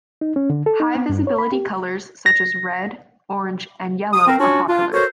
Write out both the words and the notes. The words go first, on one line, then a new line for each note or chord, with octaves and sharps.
High-visibility colours such as red, orange and yellow are popular.
D#4
C#4
D3
A4
D#4
B3
G2
C#5
B5
G4
A#6
D#6
C4 A#4
C#4 D4 F4 F#4 C#5
D4 F4
F#4 A4 A#4 C5 C#5